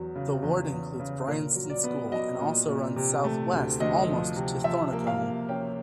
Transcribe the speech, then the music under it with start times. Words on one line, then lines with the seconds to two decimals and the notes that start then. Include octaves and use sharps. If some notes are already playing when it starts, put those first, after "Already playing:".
The ward includes Bryanston School and also runs south west almost to Thornicombe.
Already playing: E2 F#3
0.15 C#3
0.43 E2
0.71 E2
1.00 C#3
1.27 A#2 A#4
1.55 F#3
1.70 D5
1.84 B3
2.12 F#3 D#5
2.39 A#2
2.68 A#2
2.96 C3
3.24 A3
3.52 D2
3.80 D2 D#5
4.08 F3
4.36 C3
4.64 F3 E5
4.92 A#3
5.07 F5
5.21 A#3
5.49 C#4 G5